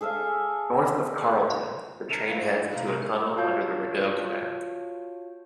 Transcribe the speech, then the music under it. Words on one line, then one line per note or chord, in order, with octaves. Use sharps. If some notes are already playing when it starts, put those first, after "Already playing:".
North of Carleton, the train heads into a tunnel under the Rideau Canal.
G#4 A4 E5 F5
D4 A#4 E5
F3 E4
C3 A#3 G4 B4
G#3 D#4 A#4 C#5
F4 F#4 C#5 F5 A5 G6